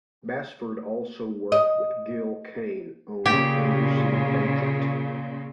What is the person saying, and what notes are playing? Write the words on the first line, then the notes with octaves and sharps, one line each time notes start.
Bassford also worked with Gil Kane on "Undersea Agent".
D#5
A#2 C#3 G4